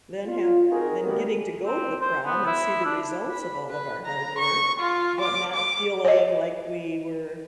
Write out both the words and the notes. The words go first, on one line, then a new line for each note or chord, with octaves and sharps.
then have then getting to go to the prom and see the results of all of our hard work but not feeling like we were
F4
C4 D#4 F#4 G#4 A#4
G3 A3 B3 G4 A#4
C4
C5
B3
E4
D4
B5
B4
A#5
C#6
F4
D6
D6
C#5 D#5